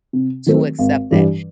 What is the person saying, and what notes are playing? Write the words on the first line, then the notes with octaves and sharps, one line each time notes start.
to accept that;
C3
D#3 F#3 A3 C4
G#1
G2 E3 G3